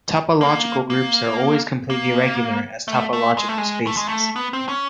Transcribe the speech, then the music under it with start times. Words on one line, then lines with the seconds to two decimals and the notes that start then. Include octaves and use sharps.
Topological groups are always completely regular as topological spaces.
0.41 A#3
0.90 A#3
1.90 A#3
2.88 A3
3.13 A3
3.37 G#3
3.48 A3
3.58 G#3
3.87 A3
3.97 G#3
4.08 A3
4.36 B3
4.53 C4
4.69 C#4